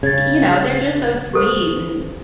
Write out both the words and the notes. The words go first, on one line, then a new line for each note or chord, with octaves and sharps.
t you know, they're just so sweet, and,
C#3 G#6 A6
G4 A4 C5